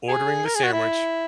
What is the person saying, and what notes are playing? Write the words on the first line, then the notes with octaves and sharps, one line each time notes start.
ordering the sandwich,
G#4
A#4
G#4
F#4
E4